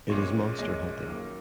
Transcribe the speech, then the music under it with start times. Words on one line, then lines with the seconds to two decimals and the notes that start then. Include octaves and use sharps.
It is monster hunting.
0.10 A#1 A#2 G#3 C#4 C#5
0.58 A#1 A#2 G#3 C#4 D#5
1.06 F#2 D#3 F#3 A#3